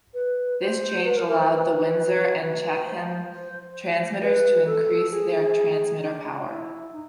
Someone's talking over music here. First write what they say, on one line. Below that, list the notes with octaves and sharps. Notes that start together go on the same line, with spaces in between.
This change allowed the Windsor and Chatham transmitters to increase their transmitter power.
B4
C5
B4
A#4
A#4
C5
B4
B4
C5
B4
A4
G#4
D4
E4
D#4